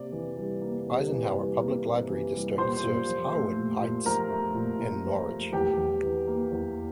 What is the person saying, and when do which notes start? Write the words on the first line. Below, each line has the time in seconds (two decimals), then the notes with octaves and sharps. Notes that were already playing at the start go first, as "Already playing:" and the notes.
Eisenhower Public Library District serves Harwood Heights and Norridge.
Already playing: C3 A#3 D5
0.12 E3
0.37 G3
0.61 A#3
0.87 C3
1.11 E3
1.35 G3
1.60 A#3
1.85 C3
2.09 E3
2.34 G3
2.58 A#2 C5 C6
2.84 A#2
3.07 F3
3.32 A3
3.56 A#2
3.81 A#2
4.05 F3 A#4 A#5
4.30 A3
4.55 A#2
4.79 A#2
5.04 F3
5.29 A3
5.53 E2 G4 G5
5.78 E2
6.03 E3
6.27 A#3
6.52 E2